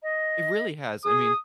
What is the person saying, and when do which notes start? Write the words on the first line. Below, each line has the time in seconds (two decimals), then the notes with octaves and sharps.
it really has. I mean,
0.03 D#5
1.04 G#4 D#6